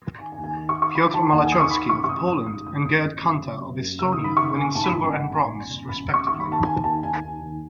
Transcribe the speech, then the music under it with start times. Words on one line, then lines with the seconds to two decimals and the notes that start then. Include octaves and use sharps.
Piotr Malachowski of Poland and Gerd Kanter of Estonia winning silver and bronze, respectively.
0.19 D#3 G#5
0.32 G#5
0.38 D#2
0.44 G#5
0.56 D#3
0.69 C#6
0.76 D#3
0.82 C#6
0.95 D#3 B5
1.14 D#3 A5
1.32 D#2 F#5
1.42 G#5
1.52 D#3 D#6
1.61 C#6
1.71 D#3 B5
1.89 A1 C#6
2.04 C#6
2.09 A1 D#6
2.28 A1 D#6
2.46 G#2 D#6
2.66 A1 D#6
2.85 A1 D#6
3.04 A1
3.23 F#2
3.41 F#1
3.60 F#2
3.80 F#2
3.99 F#1 E6
4.12 D#6
4.18 D#3
4.24 B5
4.37 F#1 C#6
4.56 F#1 G#5
4.75 G#2 A5
4.84 B5
4.94 A1
5.04 G#5
5.13 A1 F#5
5.31 G#2 G#5
5.51 A1
5.70 A1
5.89 A1 B5
6.08 A1
6.14 C#6
6.27 D#2 C#6
6.40 B5
6.46 D#2
6.52 A5
6.65 D#2 G#5
6.84 D#2 A5
7.03 D#2 G#5
7.22 D#2
7.41 D#2